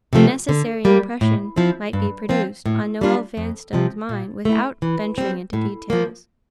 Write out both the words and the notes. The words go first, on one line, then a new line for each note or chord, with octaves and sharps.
The necessary impression might be produced on Noel Vanstone's mind without venturing into details.
C3 F3 A3 C4
D3
G3 A#3
A2
F3 C4 E4
G2
F3 C4 F4
A2
G3 D4 F4
F2
C3 F3
A#2
A3 E4
E3
G3 C4
A2
F3 A#3